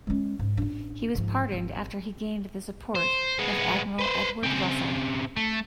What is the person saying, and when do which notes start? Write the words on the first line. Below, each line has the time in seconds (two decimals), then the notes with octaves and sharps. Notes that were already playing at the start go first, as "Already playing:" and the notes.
He was pardoned after he gained the support of Admiral Edward Russell.
0.07 G#3 C#4
0.39 G#2
0.57 A1 D4
1.15 G#2 F3
1.52 G#1
2.95 C5
3.39 G#3 B3
3.99 B4 C5
4.43 C#3 C4
5.37 A3